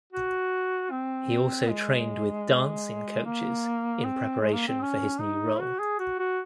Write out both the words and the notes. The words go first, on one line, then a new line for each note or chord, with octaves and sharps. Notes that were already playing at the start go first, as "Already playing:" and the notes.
He also trained with dancing coaches in preparation for his new role.
F#4
C4
G#3
A#3
C4
G#3
A#3
C4
C#4
D#4
F#4
G#4
F#4
F#4